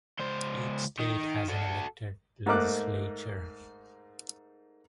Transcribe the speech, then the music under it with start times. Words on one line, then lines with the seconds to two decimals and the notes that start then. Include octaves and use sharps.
Each state has an elected legislature.
0.20 C#2 C5
0.99 D#3
1.49 F#4 A4
2.46 G#2 A3 A#3 D#4 D6 F#6